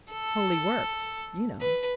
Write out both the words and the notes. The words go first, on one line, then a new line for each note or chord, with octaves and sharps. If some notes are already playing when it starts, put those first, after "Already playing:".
Holy works, you know.
A4
B4